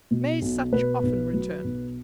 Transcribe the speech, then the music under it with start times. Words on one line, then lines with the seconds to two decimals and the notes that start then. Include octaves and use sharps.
May such often return.
0.11 B2
0.42 B1
0.73 B2 B4
1.03 B1
1.34 F#3
1.64 B1